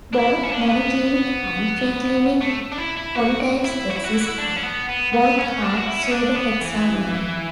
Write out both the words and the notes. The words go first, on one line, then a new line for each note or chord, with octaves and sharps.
Both monoclinic and triclinic polytypes exist and both are pseudohexagonal.
D4
E4
C#4
D4
C#4
B3
A3
D4
E4
E4
F#4
E4
F#4
E4
F#4
E4
F#4
E4
D4
C#4
B3
B3
B3
C#4
D4
F#4
E4
C#4
D4
B3
E3